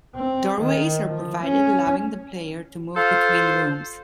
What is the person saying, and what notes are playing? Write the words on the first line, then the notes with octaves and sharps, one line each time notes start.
Doorways are provided allowing the player to move between rooms.
C4
D#3
F3
C#4
F4 A4 C5 F5